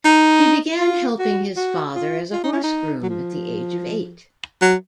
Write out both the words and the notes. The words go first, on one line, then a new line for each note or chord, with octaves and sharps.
He began helping his father as a horse groom at the age of eight.
D#4
F4
F#4
F#4
F4
F4
D#4
C#4
D#4
F#3
F3
F#3